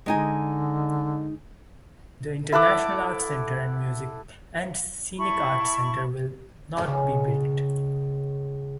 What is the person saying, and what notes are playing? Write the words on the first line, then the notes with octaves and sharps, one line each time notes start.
The International Art Center and Music and Scenic Arts Center will not be built.
D3 G#3 D#4 G#5
E4 A4 F#5 D6
E4 A5 B5 C#6
C#2 C#3